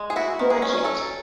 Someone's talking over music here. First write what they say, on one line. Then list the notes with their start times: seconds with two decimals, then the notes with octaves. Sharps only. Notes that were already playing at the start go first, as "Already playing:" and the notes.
Watch it.
Already playing: G#3
0.10 G#4
0.16 E4 F#4
0.39 D#3
0.50 G#4
0.62 C#4
0.84 F#3 A4